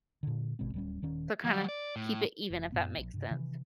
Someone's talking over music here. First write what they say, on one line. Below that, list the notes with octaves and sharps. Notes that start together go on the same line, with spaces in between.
So, kinda keep it even if that makes sense.
A#2 D3
G#1 B2 G#3 C4
D1 G3 C#4
D#1 D#3 C#4
D#3 F#3
D5
A2
F1
F#2 A#2 B3
A#1
G2 C3
C3 D#3 E3